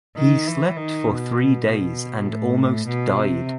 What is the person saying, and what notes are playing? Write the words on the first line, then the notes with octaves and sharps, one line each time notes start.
He slept for three days and almost died.
D#3
E3
D#3
B2
B2
A2
B2
C3